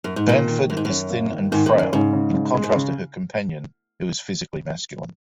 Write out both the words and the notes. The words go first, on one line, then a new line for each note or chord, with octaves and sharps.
Banford is thin and frail, in contrast to her companion who is physically masculine.
F#2
G#2
A#2 D#3
D#3
F#2 D#3
G#2
F#2 C#4
A#3
D#3
G#2 D#3
A#2
C#4
F#2
G#2 C#3
C#3
C#3
G#3
G#2
C#3